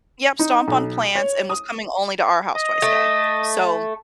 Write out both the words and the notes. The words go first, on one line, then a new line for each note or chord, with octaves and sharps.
Yep, stomp on plants and was coming only to our house twice a day. So,
D#4
B1
C#5
D#6
D#5
A3